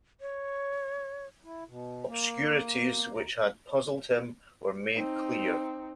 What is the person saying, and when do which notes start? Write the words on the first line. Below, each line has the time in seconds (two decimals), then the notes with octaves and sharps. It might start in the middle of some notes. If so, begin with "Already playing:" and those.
Obscurities which had puzzled him were made clear.
0.21 C#5
1.44 E4
1.68 B2
2.08 A#3
3.14 D#2 A#5
4.93 C4 D#4